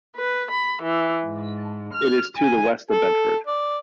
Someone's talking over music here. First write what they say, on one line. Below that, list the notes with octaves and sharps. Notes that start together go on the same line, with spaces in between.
It is to the west of Bedford.
B4
B5
E3
G#2
F6
G#5
A4
D5